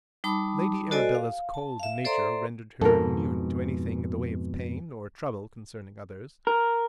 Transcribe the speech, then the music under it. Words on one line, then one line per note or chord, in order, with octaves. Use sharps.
Lady Arabella's cold nature rendered her immune to anything in the way of pain or trouble concerning others.
G3 D#4 A5 B5 D6
F#4 A4 C5 D5 D#5 G#5
F5
A5
E5 F5
A4 C5 D5 E5 A#5 C6
F2 G#2 B2 A4 A#4
A#4